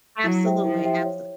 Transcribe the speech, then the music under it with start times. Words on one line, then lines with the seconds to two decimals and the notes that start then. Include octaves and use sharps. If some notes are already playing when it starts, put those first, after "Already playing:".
Absolutely, abso
0.24 F#3 E4
0.44 G4 C5 E5 G5
0.64 F3 E4
0.85 G4 C5 E5 G5
1.04 C#5